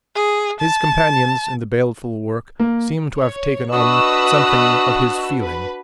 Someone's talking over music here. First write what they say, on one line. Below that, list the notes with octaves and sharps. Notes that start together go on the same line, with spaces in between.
His companions in the baleful work seemed to have taken on something of his feeling.
G#4
A5
A#3
C#5
D4 F#4 B4 D#5 C#6 D#6 E6 F#6
B4